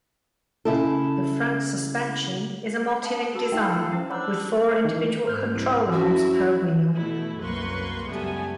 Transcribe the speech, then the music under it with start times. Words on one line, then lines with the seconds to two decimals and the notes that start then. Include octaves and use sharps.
The front suspension is a multi-link design with four individual control arms per wheel.
0.65 C#3 E4 A4
3.03 B3 B4 F5 A5
3.35 F#4 A4
3.52 A3 D#4 E4 F5 G5 C6
3.92 C#4 E4 C5
4.10 D4 C5 C#5 F#5 A#5 B5 E6
4.34 D#6
4.85 D#3 E3
5.25 G#2 C5 F6 G6
5.55 C2
5.93 F#2 E4 F#4
6.95 B2 A3 E4
7.41 C2 F#2 A#3 B4 C6 C#6
8.08 C#2 F#2 G3 A3 B3 G#5